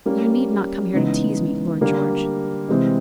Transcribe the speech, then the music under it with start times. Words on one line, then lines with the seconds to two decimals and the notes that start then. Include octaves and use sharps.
"You need not come here to tease me, Lord George."
0.06 G3 A#3 C#4
0.93 C#3 E3 G#3 B3 D#4
1.81 D3 G3 A#3
2.69 C3 E3 G#3 C4